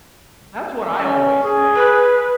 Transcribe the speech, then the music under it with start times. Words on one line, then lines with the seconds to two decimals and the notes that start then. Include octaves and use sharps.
That's what I always say.
1.01 C#4
1.44 G#4
1.76 B4